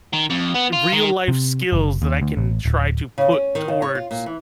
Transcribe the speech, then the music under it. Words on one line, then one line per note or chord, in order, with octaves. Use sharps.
real life skills that I can try to put towards
D#3
F2
B3
F4
D#3
C3
F#1
D#2
D2
A1
D1
C#3
C#4
D#3
C#3
C#5
F4
A#2
E3